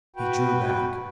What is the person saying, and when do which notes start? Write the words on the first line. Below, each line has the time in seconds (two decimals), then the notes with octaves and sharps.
He drew back.
0.16 F#4 B4 G5